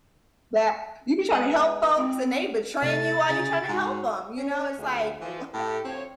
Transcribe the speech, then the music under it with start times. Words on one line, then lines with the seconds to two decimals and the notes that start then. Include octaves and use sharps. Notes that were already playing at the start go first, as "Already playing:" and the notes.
that you be tryna help folks, and they betraying you while you're trying to help 'em," you know? It's like, wha
1.31 G#3 B4 D#5 F#5
1.96 C4
2.83 C3 A3 A6
3.29 C#3 G#4
3.68 G#2 F#4
4.37 C#4 C#5
4.78 D2 D3 F4 G#4
5.20 E3 F3
5.54 A2 A3 G4
5.84 D2 F3 C4 C#5